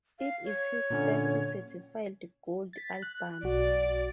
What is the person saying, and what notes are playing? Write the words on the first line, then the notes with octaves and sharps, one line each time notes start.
It is his first certified Gold album.
F5
C#5
A#2 D3 C#4
A6 B6
F#6
B1 F#4 D5 A6